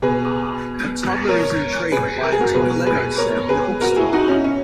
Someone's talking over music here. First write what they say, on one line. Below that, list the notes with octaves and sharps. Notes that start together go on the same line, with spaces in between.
A toddler is intrigued by a toy lego set in a bookstore.
B2 G#4 B4
A#4 C#5
G#4 B4
A#4
G#4
F#4 A#4
B2 G#4 B4
G#4 B4
A#4 C#5
G#4 B4
F#4 A#4
E4 G#4
D#4 F#4
C#4 E4
C#4